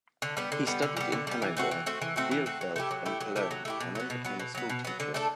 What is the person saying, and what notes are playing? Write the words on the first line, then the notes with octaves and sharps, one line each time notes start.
He studied in Hanover, Bielefeld and Cologne, and then became a schoolteacher.
D3
G3 B3
D3
G3 B3
D3
G3 B3
D3
G3 B3
E3
A3 C4 F#4
E3
A3 C4 F#4
E3
A3 C4 F#4
E3
A3 C4 F#4
F#3
A3 E4 G4
F#3
A3 E4 G4
F#3
A3 E4 G4
F#3
A3 E4 G4
B2
F#3 B3
B2
F#3 B3
B2
F#3 B3
B2
F#3 B3
D3
A3 D4 A4